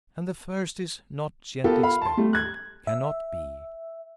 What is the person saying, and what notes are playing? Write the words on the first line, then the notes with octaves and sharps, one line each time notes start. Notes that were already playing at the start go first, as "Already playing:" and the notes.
And the first is not yet expected--cannot be.
B3 F4 G4 A4 A#4
F5 B5
A5 C6
G3 A3
F#6 G#6
E5